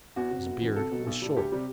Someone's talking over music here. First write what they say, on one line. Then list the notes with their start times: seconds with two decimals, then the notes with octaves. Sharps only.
His beard was short.
0.16 E2 F#4
0.31 C3
0.36 F#3
0.46 G1
0.61 F#2 E3
0.76 C2 A4
0.91 B2 F#3
1.07 B1
1.22 A2 G3
1.36 D2 G4
1.52 C3 G3